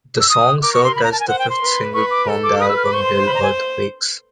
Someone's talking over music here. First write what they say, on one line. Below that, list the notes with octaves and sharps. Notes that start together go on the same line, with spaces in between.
The song served as the fifth single from the album "Little Earthquakes".
E6
D#6
A#4 D6
C#6
C6
B5
A#5
A5
G#5
C5 F#5
G5
C6
B4
B4 C#6
D6
A4
D6
B4 D#6
E6
F6
D6
C5 C#6
C6
C6
B5
A#5
G#5